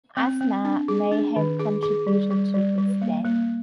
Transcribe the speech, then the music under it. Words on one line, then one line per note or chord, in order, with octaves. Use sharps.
Asthma may have contributed to his death.
C4
C4
D4
G#4
D4
D#3
G#4
G#4
G3
G3
G3
G3
A#3
A#3